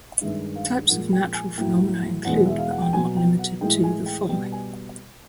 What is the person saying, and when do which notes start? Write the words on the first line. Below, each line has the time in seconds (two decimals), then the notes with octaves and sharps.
Types of natural phenomena include, but are not limited to, the following.
0.21 G2 D#3 G#3 E5
0.56 F5
0.89 A#2 F3 G#3 F#5
1.13 G5
1.34 G#5
1.58 A2 F#3 G5
2.25 E2 B2 G#3 F#5
2.46 E5
2.58 F5
2.70 F#5
2.82 G5
2.93 B2 F#3 G#5
3.17 G5
3.39 F#5
3.61 A2 E3 G#3 G5
3.84 G#5
4.06 G5
4.29 B2 G3 G5
4.52 G#5